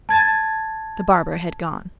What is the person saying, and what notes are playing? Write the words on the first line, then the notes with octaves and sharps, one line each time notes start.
The barber had gone.
A5 G#6 A6